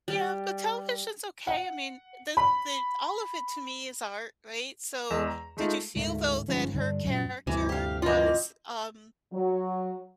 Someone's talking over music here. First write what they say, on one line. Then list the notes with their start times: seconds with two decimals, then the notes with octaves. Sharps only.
Yeah, but television's okay, I mean, the the all of it, to me, is art, right? So, did you feel, though, that her character was, um,
0.08 G3
1.47 F#5
2.37 B5
5.10 E2 G#3 D#5 E6 E7
5.27 A#5
5.57 G#3 A3 D#4 F4
5.96 D2 G#2 A3 A#3
6.48 G1 G#2 F3 C#4
6.74 G2 D3 C#4 D4
7.05 F#2 A#2
7.47 D2 G2 C3 E3
7.69 G4 F5
8.02 E3 A#3 F4 D#5
9.33 F#3